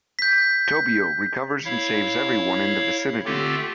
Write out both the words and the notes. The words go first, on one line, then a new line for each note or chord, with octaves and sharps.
Tobio recovers and saves everyone in the vicinity.
G6 B6
E4 C#5 F5
D3 A3 C4 F4 G4 A4